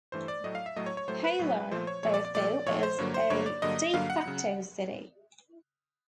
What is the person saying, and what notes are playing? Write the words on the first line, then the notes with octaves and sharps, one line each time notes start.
Hailar, therefore, is a "de facto" city.
G2 E3 A3 C5
D5
A2 F#3 A3 D#5
F5
E5
A2 F#3 A3 D#5
C#5
C#5
A2 F#3 A3 C5
B4
A2 F#3 A3
A#2 F3 A3 C5
C#5
A#2 F3 A3 C#5
D5
D5
A#2 F3 A3 D5
A#2 F3 A3 C#5
C5
G2 D3 F#3 A#3 C#5
C5
G2 D3 F#3 A#3 C#5
D5
G2 D3 F#3 A#3 D#5
G2 D3 F#3 A#3 F5
F#5
C#3 F#3